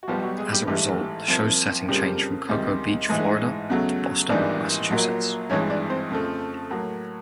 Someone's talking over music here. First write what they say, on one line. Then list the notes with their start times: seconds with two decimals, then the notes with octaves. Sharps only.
As a result, the show's setting changed from Cocoa Beach, Florida to Boston, Massachusetts.
0.03 F#4
0.08 B1 B2 F3 G3 B3 F4
0.22 F#3 F#4
0.38 G#3 G#4
0.53 G3 G4
0.67 A1 G#2 E3 G3 A3 G4
1.28 C2 C3 F3 A#3
1.88 F2 C#3 F3 G3 A#3 G4
2.49 C#2 C3 D#3 G3
3.09 A1 G#2 E3 G#3 G#4
3.70 E2 C#3 F#3 A3
4.29 G#1 G#2 E3 G3 A#3 D4 D5
4.90 A#1 A#2 F#3 A#3
5.50 G#1 G2 E3 G#3 C#4 C#5
5.70 D4 D5
5.90 C4 C5
6.10 F2 C#3 F3 A3
6.71 A2 F#3 A#3